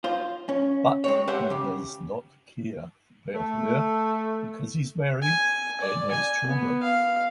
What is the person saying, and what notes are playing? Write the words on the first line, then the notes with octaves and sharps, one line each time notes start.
But he does not care about her because he is married and has children.
F4 C5
C#4
G#3 C4 C#5
G4 B4 C5 E5 F#5 G5
C#3 G4
A3
G#5
D5
G#5
B3
F5